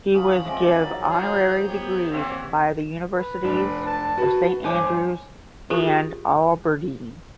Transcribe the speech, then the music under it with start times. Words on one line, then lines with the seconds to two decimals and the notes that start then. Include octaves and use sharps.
He was give honorary degrees by the Universities of St Andrews and Aberdeen.
0.14 F3 C#4 B5 D#6
0.45 G#3 C4 D5 E5
0.78 D#3 F#3 A6
1.10 F4 G#4 C#5 A#5 G6
1.68 B3 G4 C#5
2.11 E3 A#3 C4 C#5 E5 F#5
3.12 B4
3.44 F1 D4
3.86 A5
4.18 F#4 B4
4.64 G1 C5 G#5 D6
5.70 F4 G4 G#4 A#4